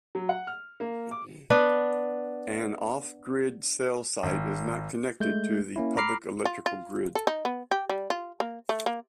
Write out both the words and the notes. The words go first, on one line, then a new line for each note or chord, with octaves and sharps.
An off-grid cell site is not connected to the public electrical grid.
F#3
F#5
F6
A#3
D6
B3 D4 B4
G#1
G#3 A3 G6
A#3 C#4 E4
A#5 B5 D6 F6 C7
F4
F4
A4
D#4
B3
G4
G3
F4
A#3
A3
A#3